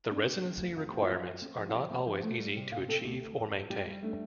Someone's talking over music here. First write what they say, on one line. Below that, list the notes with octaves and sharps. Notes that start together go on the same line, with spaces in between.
The residency requirements are not always easy to achieve or maintain.
C4 D4
C4
C4
D2
F2 F4
C4 G4
F4
F3
F2
C4
F3
F4
F3 G4
C4
F3 C5
A3
G3
C3
C3 F5
C4 A4
D2 G4
D2
F2
F2
G3 G4
G3
A3 D4